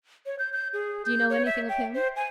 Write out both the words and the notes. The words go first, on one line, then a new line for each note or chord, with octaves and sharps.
Do you know anything of him?
C#5
G6
G6
G#4
G6
C#5
E5
G5
C5
G#5